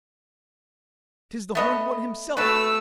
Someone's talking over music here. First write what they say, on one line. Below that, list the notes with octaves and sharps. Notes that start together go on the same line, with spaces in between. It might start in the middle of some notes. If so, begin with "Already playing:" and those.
'Tis the Horned One himself!
A3 B3 D#5
A3 F#4 A4 B4 E6